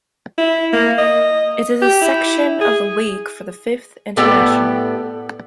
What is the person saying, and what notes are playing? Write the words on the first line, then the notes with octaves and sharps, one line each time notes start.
It is a section of the League for the Fifth International.
E4
A#3
D#5
G4
E4
G#4
A2 B3 G4 A4 D5 G5